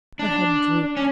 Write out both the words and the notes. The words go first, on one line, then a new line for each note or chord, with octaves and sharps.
Her head drooped.
D4
C#4